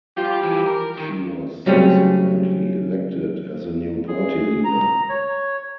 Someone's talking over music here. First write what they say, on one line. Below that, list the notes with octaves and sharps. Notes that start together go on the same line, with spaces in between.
She was subsequently elected as the new Party Leader.
F3 G3 F4 G4
E3
A#4
D#3
C#3 F#3 G3 A3 C4 C#4
G#4
A#5
C#5